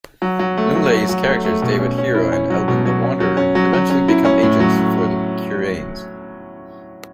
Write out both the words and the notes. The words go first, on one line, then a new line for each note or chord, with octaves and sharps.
Lumley's characters David Hero and Eldin the Wanderer eventually become agents for Kuranes.
F#3
F#3
A3
F#3
F#3
F#3
A3
A3
B2
C#4
C#4
E4
C#4
F#3
B2
F#3
C#4
F#3
C#4
F#3
F#3
C#4
E4
C#4
A2
F#3
A2